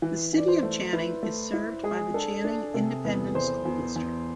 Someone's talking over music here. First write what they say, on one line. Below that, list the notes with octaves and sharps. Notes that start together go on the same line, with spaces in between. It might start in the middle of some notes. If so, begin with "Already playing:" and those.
The City of Channing is served by the Channing Independent School District.
E3
E3 D5
C5
A3
E4 B4
A3
E4
G#3 G#4
D4 A4
D4 A4
C3 A4
E2 B4
E2 C5
E2
E2